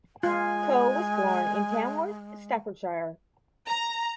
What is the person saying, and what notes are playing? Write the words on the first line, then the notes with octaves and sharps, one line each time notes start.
Coe was born in Tamworth, Staffordshire.
G#3 F4 G#5
A#5